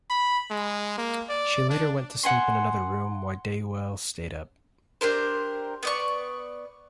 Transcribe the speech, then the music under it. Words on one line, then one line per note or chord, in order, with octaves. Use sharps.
She later went to sleep in another room while Deuel stayed up.
B5
G#3
A#3
D5
D4
F#5 G#5 C6
D4 G4 A#4 C5
B3 D5 C#6